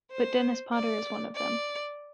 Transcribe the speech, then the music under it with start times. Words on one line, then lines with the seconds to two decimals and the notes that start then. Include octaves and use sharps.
But Dennis Potter is one of them.
0.12 C5
0.74 D5
1.36 D5